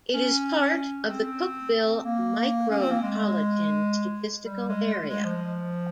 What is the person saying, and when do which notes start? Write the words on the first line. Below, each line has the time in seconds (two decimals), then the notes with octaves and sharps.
It is part of the Cookeville Micropolitan Statistical Area.
0.14 C#4
1.10 C4
2.05 A#3
2.71 C#4
2.81 C4
2.91 A#3
3.02 G#3
4.45 G3
4.69 G#3
4.93 G#3
5.10 G#3
5.24 F3